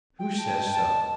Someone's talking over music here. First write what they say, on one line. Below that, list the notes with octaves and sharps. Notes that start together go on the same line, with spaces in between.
"Who says so?"
G5
A5
G5
D#5
A5